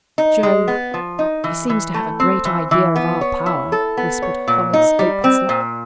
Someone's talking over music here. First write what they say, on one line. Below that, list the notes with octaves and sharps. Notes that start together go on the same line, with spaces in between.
"By Jove, he seems to have a great idea of our power," whispered Hollis, hopelessly.
D#4
G#3
B3
F3
D#4
E3
E3
A3
C4
E3
E3
B3
C#5
E4
A4
B3
C#5
A#2
D#4
G3
C4
A#2